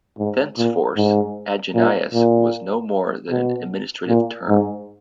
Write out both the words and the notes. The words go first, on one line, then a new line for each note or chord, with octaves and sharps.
Thenceforth Agenais was no more than an administrative term.
G#2
A#2
G#2
A#2
A#2
B2
A#2
G#2